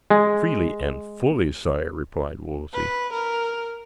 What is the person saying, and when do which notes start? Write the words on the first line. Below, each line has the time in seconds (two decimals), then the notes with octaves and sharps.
"Freely and fully, sire," replied Wolsey.
0.10 G#3
2.73 B4
3.13 A#4